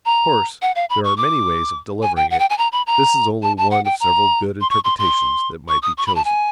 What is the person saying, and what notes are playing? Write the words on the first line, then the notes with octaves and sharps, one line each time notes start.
Of course, there are many ways of delivering it; this is only one of several good interpretations that might be chosen.
A#5
F#5
F5
B5
C#6
D6
G#5
G5
F#5
G5
G#5
A#5
B5
A#5
A5
A5
F#5
G5
A#5
C6
C#6
C6
C6
C#6
D#6
C#6
B5
A5
G#5